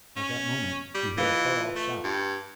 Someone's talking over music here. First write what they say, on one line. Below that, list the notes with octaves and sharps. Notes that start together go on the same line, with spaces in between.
At that moment, he heard a far-off shout.
C#4
G3
E3 F4 B4 D#5
A3
G2